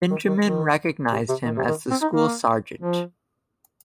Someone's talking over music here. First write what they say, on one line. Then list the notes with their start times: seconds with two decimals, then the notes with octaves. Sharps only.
Benjamin recognized him as the school sergeant.
0.11 D#3
0.28 D#3
0.44 D#3
1.12 C3
1.29 C3
1.45 D#3
1.57 C3
1.68 D#3
1.91 C4
2.02 D#4
2.13 A#3
2.81 F3